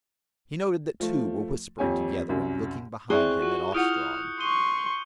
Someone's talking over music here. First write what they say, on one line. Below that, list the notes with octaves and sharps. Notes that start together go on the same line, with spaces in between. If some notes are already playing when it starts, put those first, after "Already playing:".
He noted that two were whispering together and looking behind him at Ostrog.
F3 A3
D#1 F2 G4 C#5 G#5
C2 F#2
C4 E4 G#4 D5 E5 C#6 F#6 G7
F4 F#4
E4 F4 F#5 D#6 F6 G6 C#7
C6 C#6 D#6 D#7 G7